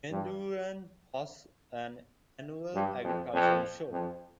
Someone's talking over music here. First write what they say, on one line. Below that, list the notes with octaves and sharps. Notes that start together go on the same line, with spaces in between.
Mendooran hosts an annual agricultural show.
G2
G2
F2
F2
F2